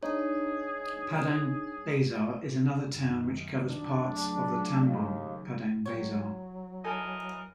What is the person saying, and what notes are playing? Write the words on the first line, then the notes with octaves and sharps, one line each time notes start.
Padang Besar is another town which covers parts of the "tambon" Padang Besar.
D4 D#4 G#4 C#5
F#2 D#3
D4
C#3 F#3 A3
D#2
F#3 E4 G4 C#5
E3 A4 A#4 D#5 G#5